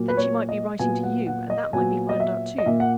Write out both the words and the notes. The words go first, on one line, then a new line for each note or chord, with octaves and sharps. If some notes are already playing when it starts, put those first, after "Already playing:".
Then she might be writing to you, and that might be found out, too.
Already playing: A#2 F#3 A#3
B4
C#5
D#5
A#2 F#3 B3 G#5
F#5
F#5
D#5
A#2 F#3 B3 G#5
D#5
E5
D#5
A#2 A#3 E5
F#5